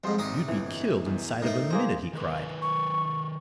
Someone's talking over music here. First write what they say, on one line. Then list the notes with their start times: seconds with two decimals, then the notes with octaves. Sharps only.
"You'd be killed inside of a minute!" he cried.
0.04 F2 G#2 G3 C5 C6
0.18 G#1 C3 D#4 D#6
0.48 G1 E3
1.06 E2
1.42 A2 A3 D#4 A#4
1.70 A#3 G#4 C5 A#5
2.13 D#3 A#4 B4
2.62 C#6